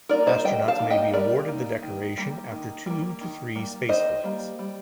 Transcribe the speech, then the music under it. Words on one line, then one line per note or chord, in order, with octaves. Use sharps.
Astronauts may be awarded the decoration after two to three space flights.
A#3 D#4 A#4 D5
C5 D#5
G3 D#5 G5
F5 A5
A#3 D#4
D#5 G5
G3 A#4 D5
A#3 D#4
D#3
G3 A#3
D#3
G3 A#3
D#3
G3 A#3
D#3 C5 D#5
G3 A#3
G3